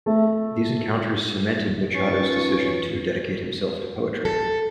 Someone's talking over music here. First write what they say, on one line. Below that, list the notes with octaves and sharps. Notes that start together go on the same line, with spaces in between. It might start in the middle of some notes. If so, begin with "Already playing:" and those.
These encounters cemented Machado's decision to dedicate himself to poetry.
A3
C#4 D#4 F4 B4 C#6 A6
A4